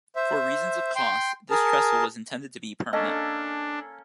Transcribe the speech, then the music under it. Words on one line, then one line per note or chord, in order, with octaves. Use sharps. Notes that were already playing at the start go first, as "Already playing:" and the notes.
For reasons of cost, this trestle was intended to be permanent.
C5 E5
G5 C6
G#4 A#4 A5
A#3 C#4 D4 A4 D#5